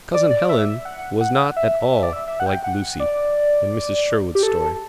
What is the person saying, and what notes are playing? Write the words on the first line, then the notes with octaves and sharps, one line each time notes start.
Cousin Helen was not at all like "Lucy," in Mrs. Sherwood's story.
D5
D5
E5
F#5
F#5
E5
E5
D5
E5
E5
F#5
G5
F#5
D5
G4
A4